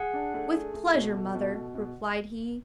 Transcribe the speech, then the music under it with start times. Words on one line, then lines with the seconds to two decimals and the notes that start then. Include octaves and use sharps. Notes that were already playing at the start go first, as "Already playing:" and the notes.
'With pleasure, mother,' replied he.
Already playing: G#4 F#5
0.13 D4
0.34 A3
0.54 G#4
0.74 A3
0.94 B2
1.13 A3
1.35 B2
1.54 B2
1.75 B2